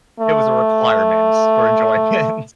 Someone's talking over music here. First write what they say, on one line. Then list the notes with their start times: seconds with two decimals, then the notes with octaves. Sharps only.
It was a requirement for enjoyment.
0.20 A3